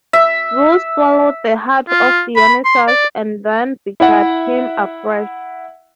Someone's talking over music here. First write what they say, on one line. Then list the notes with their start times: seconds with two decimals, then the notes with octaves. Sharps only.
Zeus swallowed the heart of Dionysus and then begat him afresh.
0.13 E5
1.89 F4
2.36 B5
2.65 C6
2.88 D5
4.00 E4 E5 F#5